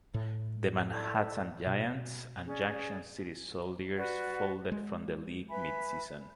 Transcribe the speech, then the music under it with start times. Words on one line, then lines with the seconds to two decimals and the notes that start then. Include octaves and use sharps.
The Manhattan Giants and Junction City Soldiers folded from the league mid–season.
0.14 A2
0.90 E4 A4 D5 A5
1.66 B2
2.43 C#4 G#4 D5
3.96 F#4 B4 D5 F#5
4.72 G#3
5.48 B4 E5 G#5 B5